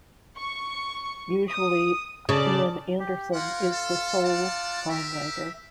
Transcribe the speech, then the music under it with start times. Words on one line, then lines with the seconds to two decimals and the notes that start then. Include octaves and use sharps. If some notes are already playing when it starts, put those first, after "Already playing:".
Usually Ian Anderson is the sole songwriter.
0.38 C#6
1.50 D#6
2.29 C#3 D5 A5
3.00 G4
3.34 A#3 F4 F#5
3.72 A4
4.23 D5 F#5 A5
4.89 G4 A#4 E5